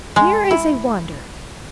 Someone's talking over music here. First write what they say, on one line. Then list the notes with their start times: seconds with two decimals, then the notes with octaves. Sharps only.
"Here is a wonder!"
0.16 G#3
0.51 E4